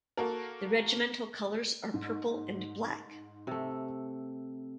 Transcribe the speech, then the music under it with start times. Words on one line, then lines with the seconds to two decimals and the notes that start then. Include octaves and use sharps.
The Regimental colours are Purple and Black.
0.17 A#3 F#4 A4 A#4
1.94 G#2
3.47 C3 A3